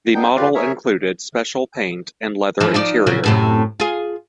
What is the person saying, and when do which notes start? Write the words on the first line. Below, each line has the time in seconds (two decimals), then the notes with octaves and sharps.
The model included special paint and leather interior.
0.14 B3 D4 D#4 G5 G6
0.36 F4 G4 B4 D5 F5
0.55 G#4 A#4 C#5 E5
2.60 E3 F3
2.74 F3 D#4 D5
3.06 A#2 C#3 F#3
3.24 F#2 A2 C3
3.80 F4 G#4